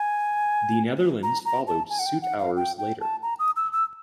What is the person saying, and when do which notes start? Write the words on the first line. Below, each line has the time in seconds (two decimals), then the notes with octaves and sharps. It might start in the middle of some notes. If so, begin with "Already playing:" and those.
The Netherlands followed suit hours later.
Already playing: G#5
1.23 A#5
1.45 A#5
1.67 A5
1.90 G#5
1.99 F#5
2.06 G5
2.22 F#5
2.39 F5
2.57 G5
2.78 G5
3.01 A5
3.23 A#5
3.39 D#6
3.56 E6
3.72 E6